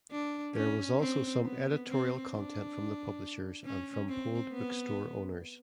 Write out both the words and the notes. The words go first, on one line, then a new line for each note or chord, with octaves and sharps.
There was also some editorial content from the publishers, and from polled bookstore owners.
D4
C#4
C4
B3
C4
D4
C#4
C4
B3